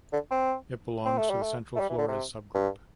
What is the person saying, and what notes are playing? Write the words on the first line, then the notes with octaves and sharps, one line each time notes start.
It belongs to the Central Flores subgroup.
D3
C4
C4
A3
G3
A3
A3
G3
E3
D3
C3
G2